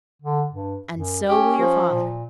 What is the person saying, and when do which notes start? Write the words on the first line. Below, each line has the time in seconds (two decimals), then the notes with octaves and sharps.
"And so will your father."
0.22 D3
0.52 G2
0.94 F#2
1.29 C#4 G4
1.59 F3
1.90 A#2